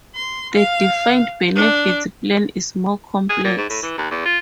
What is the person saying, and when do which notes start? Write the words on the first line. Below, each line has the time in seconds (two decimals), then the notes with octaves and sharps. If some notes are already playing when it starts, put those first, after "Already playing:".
The defined-benefits plan is more complex.
0.15 C6
0.54 F5
1.56 D4
3.29 G#4
3.45 A#2
3.57 G#2
3.70 A2
3.82 E3
3.97 D#2
4.11 E2
4.25 F4